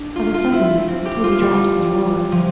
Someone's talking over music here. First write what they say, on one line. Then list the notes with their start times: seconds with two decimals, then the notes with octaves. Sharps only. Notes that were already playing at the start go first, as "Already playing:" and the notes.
Of a sudden Toby drops his Aurora.
Already playing: D4
0.16 F4
0.34 F4
0.52 E4
0.88 C4
1.05 G4
1.24 F4
1.41 G3
2.32 F3